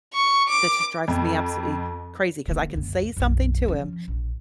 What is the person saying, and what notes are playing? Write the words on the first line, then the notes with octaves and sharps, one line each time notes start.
that just drives me absolutely crazy 'cause I can say something to him,
C#6
D6
F2
D3 A#3
C#2 F#2
B1 F#2
F3 C#4
A#1